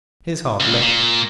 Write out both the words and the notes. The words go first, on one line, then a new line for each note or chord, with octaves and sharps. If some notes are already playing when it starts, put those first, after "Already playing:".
His heart leapt.
C#2
A#2